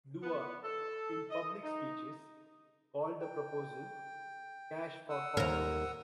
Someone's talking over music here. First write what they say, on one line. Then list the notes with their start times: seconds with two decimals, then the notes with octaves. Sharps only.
Doerr, in public speeches, called the proposal "cash for caulkers".
0.23 B3
0.64 A4
1.30 D#5
1.64 D#4
3.21 G5
5.09 F#5 D#6 E6
5.37 D#2 A#4